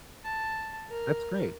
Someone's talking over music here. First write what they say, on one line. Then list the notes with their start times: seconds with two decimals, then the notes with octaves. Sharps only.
That's great.
0.24 A5
0.90 A#4